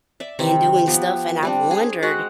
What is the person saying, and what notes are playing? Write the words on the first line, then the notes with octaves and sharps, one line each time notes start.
and doing stuff, and I've wondered,
D5 E5
C3 D#3 C4 B5
F3 B3 G4
G3 C4 D4
G#4
G#3 F#4 F#5